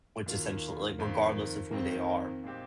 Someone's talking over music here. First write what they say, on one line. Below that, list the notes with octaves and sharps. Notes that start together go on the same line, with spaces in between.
which essentiall like, regardless of who they are,
D#2 D#3 A#3 F4
F2 D#3 A#3
F2 D#3 A#3 C4
A#2 G#3 C4 G4